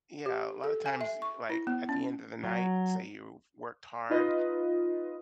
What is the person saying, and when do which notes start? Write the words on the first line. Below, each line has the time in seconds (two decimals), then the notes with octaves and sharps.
yeah, a lotta times, like, at the end of the night, say you've worked hard,
0.26 G4
0.64 A4
0.86 G#5
1.01 E5
1.22 C#6
1.50 E4
1.67 B3
1.89 C#4
2.43 F#3
4.10 D#4 F4 B4 D#5